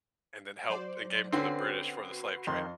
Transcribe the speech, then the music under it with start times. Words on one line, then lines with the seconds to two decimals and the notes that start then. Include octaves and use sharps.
and then helped and gave 'em to the British for the slave trade,
0.70 F#3 C5 D5
1.33 D3 C4 C#4 F#4 B4 C7
2.47 F2 D#3 C6